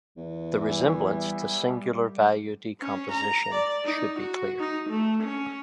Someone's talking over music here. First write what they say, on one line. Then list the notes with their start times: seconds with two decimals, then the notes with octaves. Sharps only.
The resemblance to Singular Value Decomposition should be clear.
0.17 E2
0.62 G3 B3 E5 G#5
2.80 C#4
3.12 A#5
3.52 D5
3.84 D#4
4.19 F#4
4.60 D#4
4.90 A3
5.23 C#4